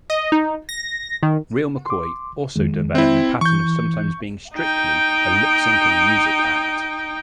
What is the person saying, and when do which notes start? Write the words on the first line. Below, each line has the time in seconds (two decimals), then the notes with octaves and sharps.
Real McCoy also developed a pattern of sometimes being strictly a lip-syncing music act.
0.10 D#5
0.32 D#4
0.69 A#6
1.23 D#3
1.86 C6 D6
2.56 F2 D#3 G#3
2.95 C4 E4
3.41 E3 C#6 G6
4.56 D#4 G5